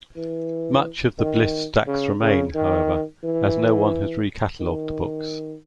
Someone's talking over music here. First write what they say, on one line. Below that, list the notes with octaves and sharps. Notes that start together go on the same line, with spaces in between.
Much of the Bliss stacks remain, however, as no-one has re-cataloged the books.
E3
D#3
C#3
C#3
D#3
E3
D#3